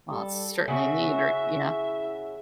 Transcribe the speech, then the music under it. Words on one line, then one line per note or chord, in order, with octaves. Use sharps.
uh, certainly need or yeah
G3 A4
C#3 F#4 C#5 E5
E4